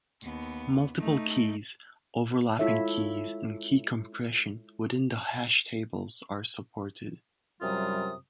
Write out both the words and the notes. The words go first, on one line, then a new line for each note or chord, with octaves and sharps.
Multiple keys, overlapping keys and key compression within the hash tables are supported.
D#2 B3
A3 D#4
G#3 E4 F4 A4 C#5 E5
F#2 C3 F#3 G3 F4 D#6